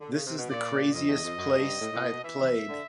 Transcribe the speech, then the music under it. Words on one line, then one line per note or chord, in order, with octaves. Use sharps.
This is the craziest place I've played.
D3
C#3
C3
B2
A#2 D5
F2 D#5
E2
F2
F#2
G2
A2
A2
A#2
B2
E3 E5
D#3
E3
D3